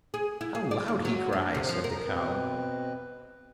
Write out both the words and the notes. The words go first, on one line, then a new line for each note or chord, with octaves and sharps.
"How loud he cries!" said the cow.
G#4
E4
G#4
D5
D#2
F#3
D4
C3
F3
A#4
B2 C4 B4